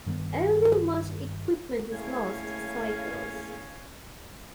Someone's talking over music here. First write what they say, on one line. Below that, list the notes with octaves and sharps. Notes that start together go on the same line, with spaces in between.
Although much equipment was lost, cycles.
G2 D#3 G3 B3
A2 A#3 C#4 G#4 F5 G#6